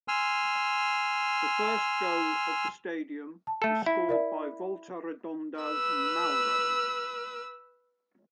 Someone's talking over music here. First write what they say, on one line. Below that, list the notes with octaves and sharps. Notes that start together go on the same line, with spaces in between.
The first goal of the stadium was scored by Volta Redonda's Mauro.
G#5 C6 E6 F6
A5
A3 A4
E4
A#4 D5 E5
B4 E6